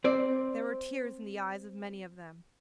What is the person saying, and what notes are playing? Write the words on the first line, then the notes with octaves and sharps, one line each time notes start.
There were tears in the eyes of many of them.
C4 C5 D5